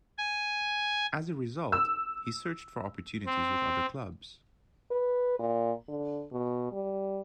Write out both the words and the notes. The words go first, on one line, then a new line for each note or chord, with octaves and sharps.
As a result, he searched for opportunities with other clubs.
G#5
E6
C4
B4
A#2
D3
B2
G3